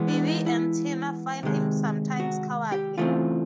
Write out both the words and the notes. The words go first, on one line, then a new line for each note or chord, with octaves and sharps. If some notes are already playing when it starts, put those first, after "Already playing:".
Bibi and Tina find him sometimes cowardly.
Already playing: E3 G#3 B3
D4
D#4
E4
C3 D#3 G#3
F#4
G4
C#3 E3 A3 C4 F4